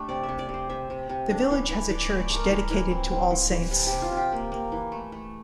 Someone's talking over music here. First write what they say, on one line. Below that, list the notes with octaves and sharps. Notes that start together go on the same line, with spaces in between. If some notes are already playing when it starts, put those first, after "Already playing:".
The village has a church dedicated to All Saints.
Already playing: A3 D4 G4
C3 D5
E5
C3
D5
C3
C5
C3 E5
C3
C3
D4
E3
E3
E3 D5
A3 D5
D5
A3
A#4
E3 A#4
E3
C4
C4
E3
E3
C3 A4
G4
C3
F4
C3
G4
A#3
A#3
E3
A3
A3